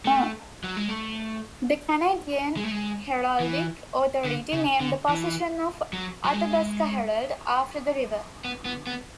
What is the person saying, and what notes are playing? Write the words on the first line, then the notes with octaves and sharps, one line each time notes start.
The Canadian Heraldic Authority named the position of Athabaska Herald after the river.
A3
F#3
G#3
A3
G#3
A3
G#3
E3
D3
C#3
D3
E3
F#3
F#3
G#3
B3
B3
B3